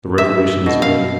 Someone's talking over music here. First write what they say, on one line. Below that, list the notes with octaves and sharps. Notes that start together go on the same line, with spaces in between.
The revelation is made.
E5
B2
F5